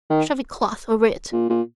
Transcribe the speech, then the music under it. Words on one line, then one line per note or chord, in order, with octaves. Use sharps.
Shove a cloth over it!
D#3
A#2
A#2